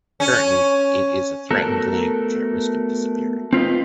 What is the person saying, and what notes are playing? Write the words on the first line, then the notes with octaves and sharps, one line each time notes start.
Currently, it is a threatened language at risk of disappearing.
C#4
A3 B3 F#4 A4 A#4
C4 F4 B4 D#5